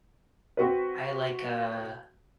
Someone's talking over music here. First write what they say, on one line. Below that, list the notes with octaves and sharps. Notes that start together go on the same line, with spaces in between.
I like, uh,
C4 F#4 B4